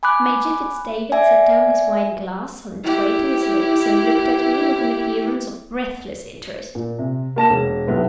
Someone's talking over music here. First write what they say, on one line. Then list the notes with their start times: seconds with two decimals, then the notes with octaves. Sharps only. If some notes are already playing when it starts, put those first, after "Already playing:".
Major Fitz-David set down his wine-glass on its way to his lips, and looked at me with an appearance of breathless interest.
0.03 G#5 B5 D6 F#6
1.12 D5 E5 G#5
2.83 E4 G4
6.75 A#2
6.98 C3
7.36 A#3 A5 A#6 E7
7.49 E1
7.86 B1 G3 B3 E4 B4